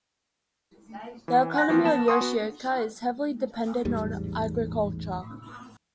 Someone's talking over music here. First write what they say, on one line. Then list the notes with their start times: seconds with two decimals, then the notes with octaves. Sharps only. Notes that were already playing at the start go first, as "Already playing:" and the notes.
The economy of Yoshioka is heavily dependent on agriculture.
1.28 E3
1.54 F#5 G#5 C6 F#6 A#6
1.68 E3 F3 A#3 C4
1.85 B3 A5 E7
2.08 F#5 G#5 C6 C#6 D#6
2.21 B3 F#4
3.85 A1 E2 G#2 G3